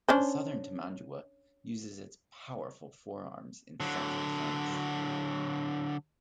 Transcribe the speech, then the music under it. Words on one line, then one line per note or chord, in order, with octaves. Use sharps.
The southern tamandua uses its powerful forearms in self-defense.
C#4 D4 C5
D3 F#3